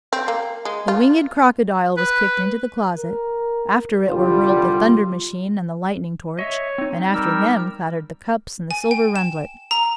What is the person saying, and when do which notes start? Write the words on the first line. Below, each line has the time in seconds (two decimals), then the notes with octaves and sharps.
The winged crocodile was kicked into the closet, after it were hurled the thunder machine and the lightning torch, and after them clattered the cups and the silver rundlet.
0.13 C4
0.28 A#3
0.65 G#3
0.88 F4
1.97 B4
2.97 A#4
4.08 C2 D3 G3 F4
6.39 C#5 D#5 E5
6.78 C4 D#4
7.14 G3 A#4 E6
8.71 G#5
8.91 G5
9.16 E7
9.71 A#5